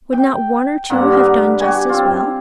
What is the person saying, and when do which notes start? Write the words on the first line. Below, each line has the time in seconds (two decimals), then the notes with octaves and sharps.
Would not one or two have done just as well?
0.13 G5
0.90 G2 D3 A#3 F#5
1.12 B3 A#4
1.59 F#4 G4 G#5 B5
1.89 C4 F4